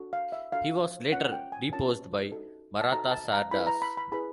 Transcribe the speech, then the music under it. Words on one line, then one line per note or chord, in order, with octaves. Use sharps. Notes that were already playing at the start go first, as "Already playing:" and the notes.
He was later deposed by Maratha Sardars.
Already playing: D4 F#4 A4
F5
E5
D4 F#4 A4 F5
C#4 F4 A#4 C#5 F#5
G5
G#5
C#4 F4 A#4 C#5 A5
D#4 F#4 A4
A5
D#4 F#4 A4 A#5
A5
A#5
E4 G#4 B4 B5
A#5
B5
B5
E4 G#4 B4 B5